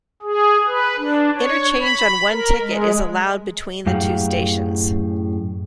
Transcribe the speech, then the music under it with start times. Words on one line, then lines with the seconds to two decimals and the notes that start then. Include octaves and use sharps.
Interchange on one ticket is allowed between the two stations.
0.22 G#4
0.67 B4
0.97 D4
1.36 C#5
1.80 B5
2.31 A#4
2.61 G#3
3.86 F#2 A2 F#3 G4 G#4 F5